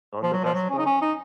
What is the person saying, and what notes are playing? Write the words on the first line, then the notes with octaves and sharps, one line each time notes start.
on the Vespa,
F3
F#3
F3
F#3
C#4
D#4
C#4
D#4